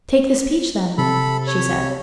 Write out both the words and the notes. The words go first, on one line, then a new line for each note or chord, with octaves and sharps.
"Take this peach, then," she said.
C3 A4 B5
C#5